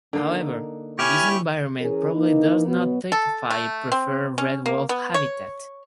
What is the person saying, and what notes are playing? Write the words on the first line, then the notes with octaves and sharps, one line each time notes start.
However, this environment probably does not typify preferred red wolf habitat.
D3 A#3 D#4
C#4 E4 G4 G#5 C#6 F6
E3 C#4 G#4 A#4
E3 A#3 D#4
B2 F#3 B3
A4
A3
C4
C#4
A#3
B3
C#5